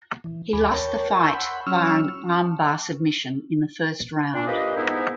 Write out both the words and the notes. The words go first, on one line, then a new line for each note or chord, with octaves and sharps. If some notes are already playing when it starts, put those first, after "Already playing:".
He lost the fight via an armbar submission in the first round.
E3
D#2 G#5 B5 D6
A#4 C#5 G5 A5
G#5 C6 C#6 E6 G6
F#5 B5
F#3 C#4 C#6 E6 F6
A#2 D4
A#3 F4 G4 B4 C5 D#5
G#2 B3 D#4 E4